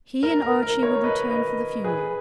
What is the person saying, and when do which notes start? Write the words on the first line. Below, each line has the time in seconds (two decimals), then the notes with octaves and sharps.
He and Archie would return for the funeral.
0.23 A#4
0.42 A#4
0.63 A#4
0.83 A#4 C#5
1.03 B4 D#5
1.30 B4 D#5
1.84 G#4 B4